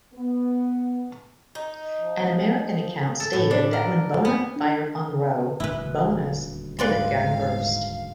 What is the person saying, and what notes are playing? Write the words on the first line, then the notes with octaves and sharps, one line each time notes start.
An American account stated that when "Bona" fired on "Roe" "Bona"s pivot gun burst.
B3
D#4
F3
A4
A2
D4
A#4
B3
D4
D#1 D2 E4 B4
G#2 B4 D5 F5 C6